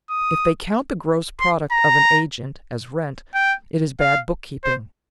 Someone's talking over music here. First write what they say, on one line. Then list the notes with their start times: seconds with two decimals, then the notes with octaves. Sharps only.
If they count the gross product of an agent as rent, it is bad bookkeeping.
0.10 D#6
1.40 C6
1.72 A#5
3.35 G5
4.00 F5
4.64 C5